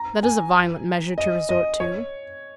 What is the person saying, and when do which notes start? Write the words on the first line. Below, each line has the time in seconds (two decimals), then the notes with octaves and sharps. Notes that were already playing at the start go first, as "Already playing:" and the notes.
"That is a violent measure to resort to."
Already playing: A#5
0.23 G#5
1.18 D#5
1.49 D#5
1.80 C#5